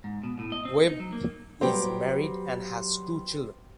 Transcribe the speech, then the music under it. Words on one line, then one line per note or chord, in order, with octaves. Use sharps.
Webb is married and has two children.
G#2
B2
A2
D#5
C4
D#4
F#3
A#3
F#3 G3 B3 G4 C5 G5